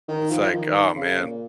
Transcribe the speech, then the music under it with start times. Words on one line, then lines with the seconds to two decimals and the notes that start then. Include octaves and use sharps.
It's, like, oh, man,
0.08 D#3
0.30 F3
0.53 D#3
0.96 C#3
1.19 A#2